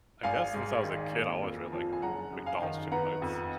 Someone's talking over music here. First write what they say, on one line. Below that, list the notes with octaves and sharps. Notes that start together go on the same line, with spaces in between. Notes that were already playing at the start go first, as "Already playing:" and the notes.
I guess since I was a kid, I always really liked McDonald's chicken nuggets
G#1 F5 G#5
G#2
D#3
A#3
F2
F3
G#5
F#1 F#5 A#5
F#2
F5 G#5
D#3
B3 F#5 A#5
F2